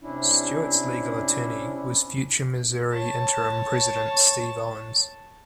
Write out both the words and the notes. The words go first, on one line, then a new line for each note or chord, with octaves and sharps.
Stewart's legal attorney was future Missouri interim president Steve Owens.
C3 C#4 D4 E4
C#5 A5